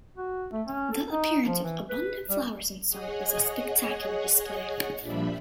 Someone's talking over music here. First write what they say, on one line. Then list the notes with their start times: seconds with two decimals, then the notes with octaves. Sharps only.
The appearance of abundant flowers in summer is a spectacular display.
0.17 F#4
0.52 A3
0.67 C#4
0.92 A4
1.11 D#4
1.47 F3
1.64 E3
1.89 B4
2.29 G3
2.89 G#4 C#5 D#5 F#5 G#5
5.02 A#2 F3 G3 D4 E5 B5